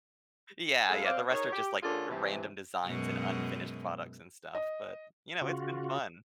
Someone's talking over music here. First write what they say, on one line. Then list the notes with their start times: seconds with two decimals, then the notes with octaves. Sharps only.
Yeah, yeah, the rest are just, like, random designs and unfinished products and stuff, but, you know, it's been fun.
0.90 G#3 C4 E4 A4 F5
1.04 C4 D5 F5
1.30 D#4 G#4 A#4 C#5
1.51 G4
1.82 D3 A#3 C#4 F4 G#4 A4
2.09 G2 C3 E3
2.85 F#2 B2 G#3
4.55 D#5
5.41 C#3 F4 F#4